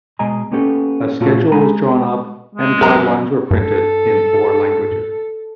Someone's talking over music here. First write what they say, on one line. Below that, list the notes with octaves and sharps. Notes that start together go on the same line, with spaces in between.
A schedule was drawn up, and guidelines were printed in four languages.
B2 G#3 D#5 G#5 A#5
A#3 B3 C#4 G4 A4
A#2 A3 C#4 F4 F#4 A4
G#3 G#5 A#5 B5
G#3
F#2 A#4 A#5
G2 A4